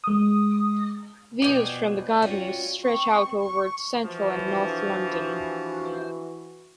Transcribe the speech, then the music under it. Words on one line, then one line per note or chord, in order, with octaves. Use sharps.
Views from the gardens stretch out over central and north London.
G#3 D#6
B2 F3 D5 G5 G#5
G3 C#4 F4 F#4
C4 C#6
C#6
E3 F3 F#4
D4 G4 F5